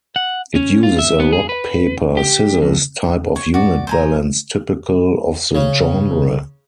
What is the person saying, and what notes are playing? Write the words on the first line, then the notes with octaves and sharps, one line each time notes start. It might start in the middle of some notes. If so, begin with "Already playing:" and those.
It uses a rock-paper-scissors type of unit balance typical of the genre.
F#5
C#4
F4
E5
B3
G#4
B4
G4
F2
C#5
F#4 D5
C5 G#5 A#5
C#3